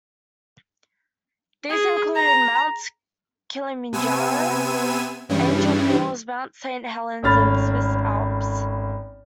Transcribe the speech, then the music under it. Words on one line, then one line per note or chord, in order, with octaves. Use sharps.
These included Mount Kilimanjaro, Angel Falls, Mount Saint Helens, and the Swiss Alps.
G#4
A#5
C3 B3 G#5 E6 D#7
G2 C#3 E3 G3
G#1 A3 C#4 B5 F6 A6